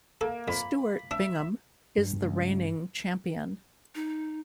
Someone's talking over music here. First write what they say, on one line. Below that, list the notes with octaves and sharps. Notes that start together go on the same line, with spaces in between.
Stuart Bingham is the reigning champion.
A#3 A4
F2 B5
D4 E5
G2
C#2
D#4